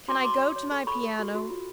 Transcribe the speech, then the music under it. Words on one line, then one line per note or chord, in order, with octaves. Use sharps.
Can I go to my piano?
F#4 C6 D6
C#5 C6 D6
C#5
C#5
A4
A4 B5 C#6
A4
F#4
F#4
F4